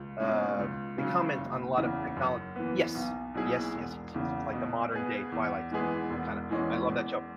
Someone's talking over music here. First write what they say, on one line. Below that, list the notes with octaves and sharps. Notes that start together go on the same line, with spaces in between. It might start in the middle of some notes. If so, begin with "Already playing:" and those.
uh, they comment on a lot of technol Yes, yes, yes, yes, yes, yes, like the modern day Twilight Zone, kinda I love that show
Already playing: C#2
B2 G#3 C#4
C#2
C#3 F#3
F#1
E2 C#3
F#2
E3 B3
B1
B2 F#3 E4 G#4
E1
E2 C#3
B2
B3 G#4
E2
E3 G#3 B3 G#4
E1
E2 E3 G#3 C#4
E2